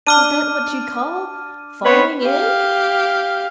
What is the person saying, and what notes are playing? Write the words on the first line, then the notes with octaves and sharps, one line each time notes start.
"Is that what you call FALLING IN?"
D4 D6 F6 D#7
B3 C4 B4 C#5
G4 F5